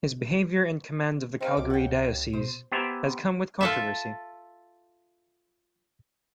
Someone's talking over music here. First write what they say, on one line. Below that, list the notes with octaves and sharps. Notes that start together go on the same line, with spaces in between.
His behavior and command of the Calgary diocese has come with controversy.
C4 D#4 A#4 F5
C#2 F#2 D6
D#2 F#5 G5
B2 C5
B3 G4 C5 E5 G#5 A#5
F4 A4 E5